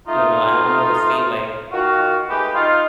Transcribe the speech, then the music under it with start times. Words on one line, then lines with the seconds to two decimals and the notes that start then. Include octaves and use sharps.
you know, I only would see, like,
0.08 A3 D#4 F4
1.73 D#3 A#3 F4 F#4
2.30 G#3 A3 D#4 G4 B4 G5
2.54 D#4 F4